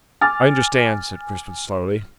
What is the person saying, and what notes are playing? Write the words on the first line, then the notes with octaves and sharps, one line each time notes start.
"I understand," said Crispin slowly.
G#5 D6 F6 A6